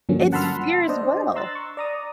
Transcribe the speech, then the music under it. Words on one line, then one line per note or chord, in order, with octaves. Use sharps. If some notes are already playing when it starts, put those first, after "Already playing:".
It's fear as well.
G2 D3 F3 F#3 A#3 C#4
F#5 A5 B5 C6 E6 F6
D4 C5 D5 D#5
A#5 C6 E6 F#6 A6
C#6
D5 A#5 D#6